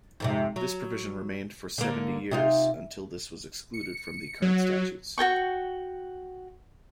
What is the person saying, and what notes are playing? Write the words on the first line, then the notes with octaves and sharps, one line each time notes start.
This provision remained for seventy years, until this was excluded from the current statutes.
F2 G#2 C3
F#3
D3 A#3
C3 D#4 F4
C#7
F#3
F#4 A4 G5 C#6